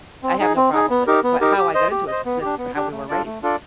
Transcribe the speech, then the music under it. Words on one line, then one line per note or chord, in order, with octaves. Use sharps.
I have no problem with it. But how I got into it is that's how we were raised.
C4
D#4 G#4
C4
D#4 G#4
B3
D#4 G4 A#4
B3
D#4 G4 A#4
G4
C5 D#5
G4
C5 D#5
B3
D4 G4
B3
D4 G4
A3
D4 F4 A4 D5
A3
D4 F4 A4 D5